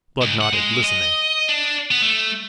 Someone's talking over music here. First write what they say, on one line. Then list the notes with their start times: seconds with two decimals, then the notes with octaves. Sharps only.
Blood nodded, listening.
0.21 C#2
0.41 F#5
0.53 G#3
0.84 D#5
1.49 D4
1.91 B3
2.02 A3